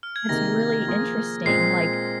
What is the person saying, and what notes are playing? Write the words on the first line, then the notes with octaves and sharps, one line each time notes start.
It's really interesting, like,
F6
G#6
C3 D#3 A#3 D#4 G#4 A#6
F3 A#3 F4 G#4
A#2 G#3 C4 C7